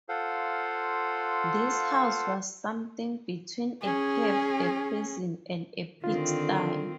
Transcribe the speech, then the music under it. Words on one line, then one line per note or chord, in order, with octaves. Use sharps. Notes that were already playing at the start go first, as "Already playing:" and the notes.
This house was something between a cave, a prison, and a pig-stye.
F4 A4 C5 F5 F#5
C#4 G#4
D3 D#3 C4 F4